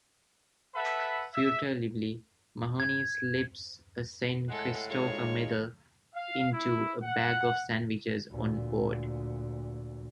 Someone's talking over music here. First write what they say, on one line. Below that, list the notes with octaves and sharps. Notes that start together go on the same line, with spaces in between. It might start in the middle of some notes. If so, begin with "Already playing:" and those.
Furtively, Mahoney slips a Saint Christopher medal into a bag of sandwiches on board.
A4 B4 E5 F#5 B5
E5
G#6
A2 G#3 A4 F#5
G#3 D#4 F4 C#5
F5
E4
F#5
D2 A#2